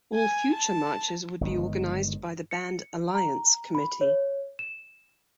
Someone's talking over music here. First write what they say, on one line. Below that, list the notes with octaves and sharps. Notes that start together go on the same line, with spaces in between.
All future marches would be organised by the Band Alliance committee.
G#5
A5
G1 D#3 G#3
C#7
A#5
B5
C#5
E7